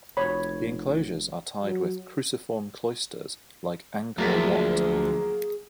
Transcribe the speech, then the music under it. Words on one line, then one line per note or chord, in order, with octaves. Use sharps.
The enclosures are tied with "cruciform cloisters", like Angkor Wat.
F1 C#5 B5
F#3
D2 F3 F#3 A#3 G#4 B6